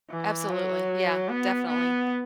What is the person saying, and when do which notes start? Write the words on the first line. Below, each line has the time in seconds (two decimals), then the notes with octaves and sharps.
Absolutely, yeah, definitely.
0.11 E3
0.50 F#3
1.29 B3
1.69 B3